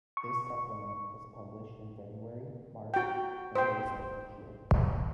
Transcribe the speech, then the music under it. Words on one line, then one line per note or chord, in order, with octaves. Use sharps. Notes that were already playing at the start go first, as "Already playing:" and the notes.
This supplement is published in February, March and April each year.
C#6
F#4 G5
C5 G5